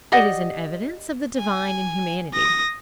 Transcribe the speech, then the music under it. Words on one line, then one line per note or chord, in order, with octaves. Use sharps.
It is an evidence of the divine in humanity.
G4 D5 D#5 F#5
G#5
D#6 A#6